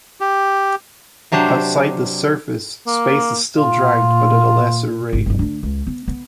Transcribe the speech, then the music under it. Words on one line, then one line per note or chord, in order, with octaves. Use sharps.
Outside this surface, space is still dragged but at a lesser rate.
G4
C3 F#3 D4 G4 C5
A#3
A#2 F4
G#1
G1 G2
D2 D4
C#2
B3
B3